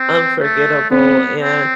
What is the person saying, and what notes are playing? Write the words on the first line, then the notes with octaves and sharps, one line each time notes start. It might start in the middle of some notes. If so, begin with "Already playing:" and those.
unforgettable, and
Already playing: C4
A3
B3 C4
C4